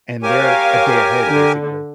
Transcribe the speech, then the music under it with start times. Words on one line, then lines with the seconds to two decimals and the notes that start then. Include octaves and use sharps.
and they're a day ahead, basically,
0.23 G4 A#4 C#5 F5 G#5
1.28 D3